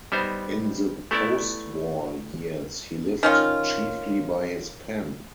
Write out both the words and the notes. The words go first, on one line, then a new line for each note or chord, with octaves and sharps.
In the postwar years, he lived chiefly by his pen.
G3 B3 D#4 C5
A3 B3 E4 D5
D#3 C#4 F4